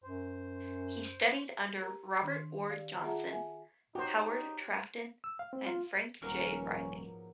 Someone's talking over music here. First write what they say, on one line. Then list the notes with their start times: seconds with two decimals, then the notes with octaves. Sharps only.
He studied under Robert Ward Johnson, Howard Trafton, and Frank J. Reilly.
0.04 F#2 C5
1.81 G4 A#4 A#5
2.22 D#3 D4 C6
2.70 G4 D5 F5
3.04 F4 G#4 E5 F#5 A5 A#5
3.30 E5 G#5
3.95 D#4 F#4 G4 C5 C#5
5.24 E6
5.39 F5
5.53 C4
5.66 F4
6.22 D#1 G#2 F3 F#3 A#3 B3 C#4 F6